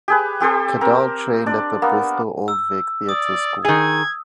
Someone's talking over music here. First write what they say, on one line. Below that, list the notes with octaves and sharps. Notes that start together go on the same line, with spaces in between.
Cadell trained at the Bristol Old Vic Theatre School.
G4 G#4 B4
C4 G4 A4 C5
C4 A#4
D4 D5
A#3 B3
E6
D5 D#6
D#3 G#4 G#6